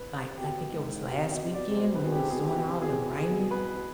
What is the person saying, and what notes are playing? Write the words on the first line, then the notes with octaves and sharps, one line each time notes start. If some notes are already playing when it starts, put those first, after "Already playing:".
like, I think it was last weekend when it was doing all the raining?
Already playing: B4
C3
B2 G4
G#2
B2 G4
C3
B2 D#5
C3
B2 D5
C3
B2 C5
C3 B4
B2 G#4
G4
C3
B2 G#4
C3 G4
B2
C3
B2 G#4
C3
B2
C3 G#4
B2
B4
B2